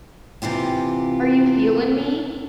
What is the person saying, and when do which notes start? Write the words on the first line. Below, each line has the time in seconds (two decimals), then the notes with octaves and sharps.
Are You Feelin' Me?
0.42 C3 E3 F4 G4